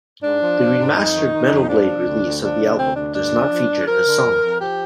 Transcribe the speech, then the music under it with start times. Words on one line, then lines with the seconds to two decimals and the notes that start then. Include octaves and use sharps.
The remastered Metal Blade release of the album does not feature this song.
0.23 G#2 D4
0.41 F3
0.59 F3
0.78 G#2
0.96 F2 D#4
1.15 D#3
1.33 D#3
1.50 F2
1.69 F3 D4
1.87 C3
2.05 D2
2.24 D2
2.41 F3 D4
2.60 C3
2.78 D2 C4
2.96 D2 D4
3.14 G2 D4
3.33 F3
3.51 F3
3.69 G2
3.87 F3 A#4
4.05 D3
4.24 F2
4.42 F2
4.60 F3 G4